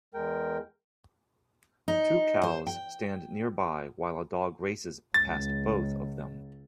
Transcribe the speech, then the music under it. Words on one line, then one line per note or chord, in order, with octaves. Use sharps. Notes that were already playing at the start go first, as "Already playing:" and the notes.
Two cows stand nearby while a dog races past both of them.
E2 G#3 A#4 G5
D#4
C5
G5
C#2 A6